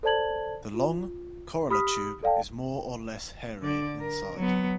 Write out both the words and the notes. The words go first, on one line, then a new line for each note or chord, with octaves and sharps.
The long corolla tube is more or less hairy inside.
A4 C5 D5 A5 G#6 F#7
F4
G4 B5 D#6 F6 B6
A4 D5 F5 G5 A5
D3 D5
A#4
F#3 B3